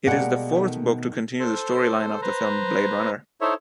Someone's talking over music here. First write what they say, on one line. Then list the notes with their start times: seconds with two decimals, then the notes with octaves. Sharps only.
It is the fourth book to continue the storyline of the film "Blade Runner".
0.06 B2 G3 G#3 A#3 F#5
0.56 D#3 A3
1.40 A4 C5
2.22 B4 C5 A#5
3.41 D#4 E4 A4 C5 C#5 E5